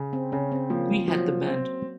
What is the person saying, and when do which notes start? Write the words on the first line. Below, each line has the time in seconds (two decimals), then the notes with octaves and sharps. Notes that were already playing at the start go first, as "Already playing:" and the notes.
We had the band.
Already playing: C#3
0.13 C4
0.32 C#3 C#4
0.52 C4
0.70 F3 A#3
1.08 F3 F#3
1.46 C4